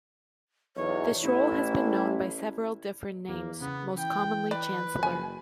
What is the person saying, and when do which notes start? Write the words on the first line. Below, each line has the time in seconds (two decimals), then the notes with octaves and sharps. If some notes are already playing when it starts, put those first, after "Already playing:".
This role has been known by several different names, most commonly Chancellor.
0.76 B1 E2 C#5
1.22 A1 E4
3.28 E2 A#3
3.61 C#3 B3
3.98 E3 G5
4.51 B4 D5
5.03 F#1 G#5